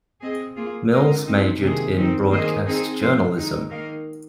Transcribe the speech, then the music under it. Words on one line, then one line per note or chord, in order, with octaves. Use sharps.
Mills majored in broadcast journalism.
C4 G#4 D#5
A#3 F4 G#4
G#3 C4 F4 A#4 D#5
C3 G#3 C4 D#4
C3 D#3 A#3 G#4
D#3 C4 D#4
D#3 A#3 G#4 C5 D#5
C4 D#4 G#4
F3 C4 F4 C5
D#3 G#3 D#4
D#3 A#3 D#4 A#4 F5